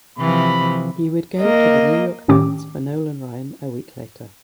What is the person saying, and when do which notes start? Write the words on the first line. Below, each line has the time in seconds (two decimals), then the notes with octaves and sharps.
He would go to the New York Mets for Nolan Ryan a week later.
0.18 C3 E3 F3 B5
1.40 A#3 D#5
2.28 A2 D#3 C#4 G4 D6